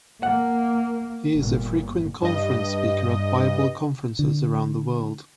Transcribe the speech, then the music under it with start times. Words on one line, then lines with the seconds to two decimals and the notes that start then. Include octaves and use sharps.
He is a frequent conference speaker at Bible conferences around the world.
0.23 A#3 F#5
1.34 G1 A#2
2.22 G2 D#5
4.19 D3